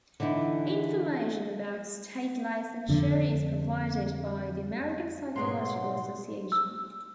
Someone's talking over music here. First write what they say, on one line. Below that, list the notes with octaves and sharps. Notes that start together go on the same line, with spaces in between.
Information about state licensure is provided by the American Psychological Association.
D3 E3 D#4 E4
F2 D3
G#2 B2 F#3 G#4 C6
E6